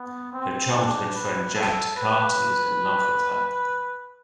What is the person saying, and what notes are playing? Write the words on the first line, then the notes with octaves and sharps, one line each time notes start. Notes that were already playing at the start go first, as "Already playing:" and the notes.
Her childhood friend Jad Takarty is in love with her.
Already playing: B3
C4
D4
B4
A4
B4